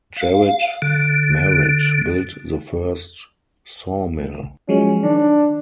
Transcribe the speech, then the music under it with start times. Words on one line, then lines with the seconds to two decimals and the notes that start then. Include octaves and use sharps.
Jared Merritt built the first sawmill.
0.16 F5
0.82 D3
4.69 F3 F#3 G#3 C#4
5.03 D#3 D4